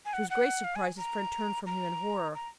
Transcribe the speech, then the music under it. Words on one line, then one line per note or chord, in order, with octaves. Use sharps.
To his great surprise his friend turned from him in horror.
G#5
F#5
F#5
F5
G#5
A#5
A#5
A#5